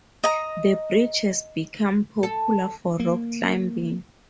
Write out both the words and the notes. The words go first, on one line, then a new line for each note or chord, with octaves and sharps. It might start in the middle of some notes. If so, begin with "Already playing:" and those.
The bridge has become popular for rock climbing.
D#5 A#5
A4
A#3